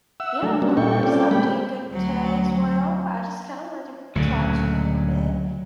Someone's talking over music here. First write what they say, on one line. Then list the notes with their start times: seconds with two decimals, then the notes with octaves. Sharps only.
Yeah, of course, I'm doing good today as well, I just kinda wanted to talk to you a little bit
0.20 E5 F#5 E6
0.43 F#3 A3 D4
0.62 G3 A#3 B3 C#4 D4 F#4
0.77 A#2 G3 A4 G5 C#6
1.03 C4 C#4 F4 A4 D5 G5
1.31 G3 G#3 A#3 G5 B5
1.91 D2 F#3
4.16 D2 A#2 C#3 F#3